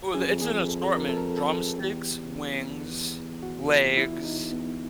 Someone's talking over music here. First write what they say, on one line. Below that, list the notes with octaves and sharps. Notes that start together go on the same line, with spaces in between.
Well, it's an assortment, drumsticks, wings, legs,
F#2 G#4
F2
E2 G#4
F2
A4
A#4
A4
A#4
A4
G#4
E2 G4
F#4
F4
E4
D#4
B3